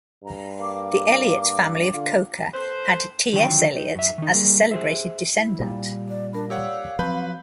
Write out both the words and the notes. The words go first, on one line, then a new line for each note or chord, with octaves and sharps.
The Elyot family of Coker had T. S. Eliot as a celebrated descendant.
G2 A#5
A#3 D6
D3 F4
A4 B4 C5
D3 D#3 F3 F#3 G4 G5
D#4
F#2 E5
D#3 D#4
G3 A#3 G#4
G#4 C5 E5
E4
A#2 G3
D5
D4 A#4 B5
G4 C#5 D5 F5 F#5 E6
F3 F#3 C4 B4 B5 G6